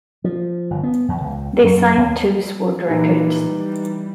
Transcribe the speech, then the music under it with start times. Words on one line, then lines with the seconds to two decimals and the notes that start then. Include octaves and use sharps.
They signed to Sword Records.
0.24 F3
0.70 G1
0.83 B3
1.08 E2
1.21 C#2
1.64 F#2
1.97 D#2
2.87 A#2 E3 D#4 G4 B4
3.49 E3 G3